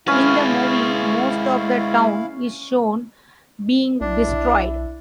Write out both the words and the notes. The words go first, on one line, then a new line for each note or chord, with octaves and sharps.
In the movie most of the town is shown being destroyed.
G#3 C#4 E4 B4 F5
B1 D4 E4